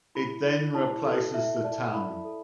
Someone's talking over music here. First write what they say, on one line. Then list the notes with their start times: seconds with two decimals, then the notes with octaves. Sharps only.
It then replaces the tongue.
0.15 E4 B5
0.46 D5
0.75 E4 A5
1.05 A4
1.34 E4 E5
1.64 D5 A5
1.94 E4 B5
2.25 A4